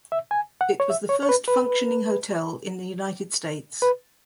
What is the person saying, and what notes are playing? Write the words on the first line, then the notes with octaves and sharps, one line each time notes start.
It was the first functioning hotel in the United States.
E5
G#5
F#5
C#5
E5
C#5
C#5
B4
B4
B4